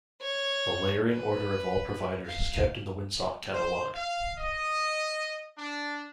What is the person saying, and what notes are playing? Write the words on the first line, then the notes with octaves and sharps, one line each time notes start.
The layering order of all providers is kept in the Winsock Catalog.
C#5
B4
F5
C5
F5
D#5
D4